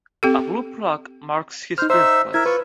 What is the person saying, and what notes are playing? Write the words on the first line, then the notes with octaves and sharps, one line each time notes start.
A blue plaque marks his birthplace.
C4 G4 A4
D#4 C5 F6
D#4 C5 E5 E6
E4 A#4 E5 G#6
F4 B4 C#6